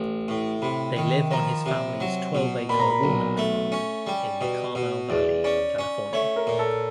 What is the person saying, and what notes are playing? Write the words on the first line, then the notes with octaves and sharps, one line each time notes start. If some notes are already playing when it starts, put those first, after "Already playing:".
They live on his family's twelve-acre walnut farm in the Carmel Valley, California.
Already playing: A1
A2
C3 B5
D#3
F3 A#5
C3
F#3
B2
A#2 B5
A#5
B5
B1
A3
C#4
G3
B2
B2
E2 D5
C#4 D5
C#4 D5
A3 C#5
A#4
A#2
A4